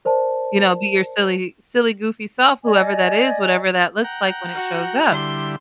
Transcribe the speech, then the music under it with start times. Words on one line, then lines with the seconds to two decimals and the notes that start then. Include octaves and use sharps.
you know, be your silly silly goofy self, whoever that is, whatever that looks like when it shows up.
0.05 A#4 C5 D5 A5
2.64 D5 D#5 G#5
4.04 F#5 G5 A#5
4.53 F#4
5.11 D3 G3 E4 C6